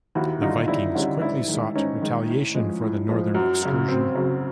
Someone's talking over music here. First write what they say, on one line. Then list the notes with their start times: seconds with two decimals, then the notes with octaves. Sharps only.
The Vikings quickly sought retaliation for the Northern excursion.
0.15 D#2 E4 F#4
0.42 D3 D#4 F4
0.46 G3
0.68 D#2 D4 E4
0.95 D3 C#4 D#4
0.99 G3
1.22 G#2 D4 E4
1.48 D#3 G#3
1.75 G#2 C#4 D#4
2.02 D#3 G#3
2.28 A2
2.54 F3 G#3
2.81 A2
3.09 F3 G#3
3.34 F#2
3.62 C#3 F#3
3.88 F#2 C4
4.15 C#3 F#3